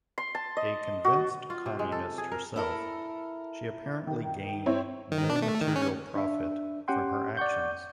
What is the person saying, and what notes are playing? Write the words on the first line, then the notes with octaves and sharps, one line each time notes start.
A convinced communist herself, she apparently gained no material profit from her actions.
C6
A5
D#5
F#4
F4
C3
G#3
A4
G#4
A#4
E4 A4 A#4
D#3
C4 E4 C#5
D#3
D4
A3
D#3
C#4
D4 E5
C#4 G4 F#5 G5 C6
D5 F#5 C#6 G6